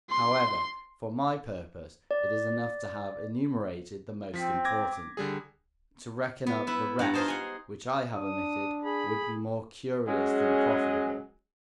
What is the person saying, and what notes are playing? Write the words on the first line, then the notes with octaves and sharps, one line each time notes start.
However, for my purpose, it is enough to have enumerated the most important; to reckon up the rest which I have omitted would be more curious than profitable.
C6
D5
F3 C4 B6
D6 G#6 A#6
D6
D3 G3 G#4
B3
E4 B4
G2 F#5 A#5
D#4 F4 G#4 C5 D#5 A5
F#5 G#5
D4 D#6
G#4 B5
F#3 G#3 C#4 G#4